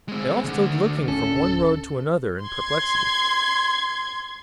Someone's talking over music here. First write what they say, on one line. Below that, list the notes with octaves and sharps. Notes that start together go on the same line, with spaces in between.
They all stood looking from one road to another in perplexity.
G#3 C4
D2 D3
D1 C#4 A4
C6 G#6